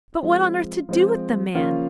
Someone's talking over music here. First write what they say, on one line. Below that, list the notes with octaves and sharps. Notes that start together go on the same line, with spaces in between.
But what on earth to do with the man?
F3 G#3 C4 F4
F3 G#3 C4
C#3 F3 A#3 C#4 F4